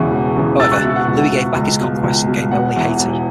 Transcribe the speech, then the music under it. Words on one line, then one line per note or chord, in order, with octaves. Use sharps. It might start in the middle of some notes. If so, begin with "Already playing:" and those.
However, Louis gave back his conquests and gained only Haiti.
Already playing: E1 E2 C#3 E3 C#6
E1
E2 C#3 E3
C#2 E6 A6
C#6 F#6
B2 E5
F#5
C#2 F#5
B2
C#2
B2
C#2
B2
E1 F#5
E2 E3
E1